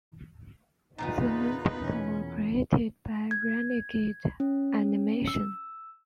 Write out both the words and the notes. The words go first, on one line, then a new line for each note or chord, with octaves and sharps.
The main title were created by Renegade Animation.
E2 A#2 C#3 B3 D#4 F4 B4
E2 B2 E3 C#4
G#6
C#4
E6